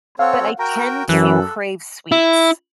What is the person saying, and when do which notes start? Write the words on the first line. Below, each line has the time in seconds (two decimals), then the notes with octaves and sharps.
but I tend to crave sweets.
0.19 C4 A4 C#5 F5 F#5
0.59 F#4 A#4 G5 A#5
1.09 F#2 E3 A4 F#6
2.12 E4